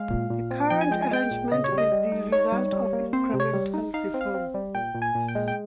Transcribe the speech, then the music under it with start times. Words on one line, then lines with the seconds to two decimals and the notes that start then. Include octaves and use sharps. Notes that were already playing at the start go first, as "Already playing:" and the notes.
The current arrangement is the result of incremental reform.
Already playing: G#3 F5
0.10 A#2
0.30 A#2
0.51 C4
0.70 F3 G5
0.81 G#5
0.91 G#3 G5
1.02 G#5
1.11 G#3 G5
1.31 A#2
1.52 C#3 D#5
1.64 C#5
1.72 G3
1.78 D#5
1.92 G3
2.12 D#4
2.32 D#4 C#5
2.52 G3
2.72 G3
2.93 A#3
3.13 C4 C5
3.34 C3
3.40 C#5
3.53 G3
3.74 D#4
3.94 D#4 F5
4.14 C4
4.21 F5
4.34 C4
4.54 G3
4.75 A#2 G5
4.94 A#2
5.02 G#5
5.15 A#2
5.28 G5
5.35 G#3
5.48 G5